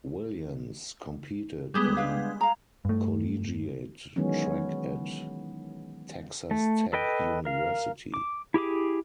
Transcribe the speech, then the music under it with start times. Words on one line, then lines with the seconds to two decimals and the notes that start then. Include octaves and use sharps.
Williams competed in collegiate track at Texas Tech University.
1.74 G3 G#3 B3
1.97 D4 B4 F5
2.41 F5 A#5
2.85 G2 A3
4.16 D#3 E3 F#3 G#3 B3 C#4
6.51 A3
6.93 A4 B4 D#5 G5
7.45 A#4 F5
8.14 D6
8.54 E4 G4 G#4 D6